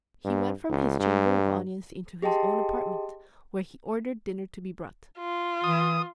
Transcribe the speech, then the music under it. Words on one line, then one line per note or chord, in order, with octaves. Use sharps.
He went from his chamber of audience into his own apartment, where he ordered dinner to be brought.
G2
C#2
G2
G4 G#4 D#5 G5 A5 C6
F4
E3 D#6